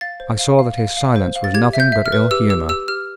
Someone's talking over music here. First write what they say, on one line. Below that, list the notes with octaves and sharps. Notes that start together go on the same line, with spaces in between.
I saw that his silence was nothing but ill-humour.
F5 A6
C5
F5
F5
F5
F5
C5
F5
A6
G4 G#6
E5
G6
E5
F6
B4
G4 E6
G4 E6
G4 E6
G4 F6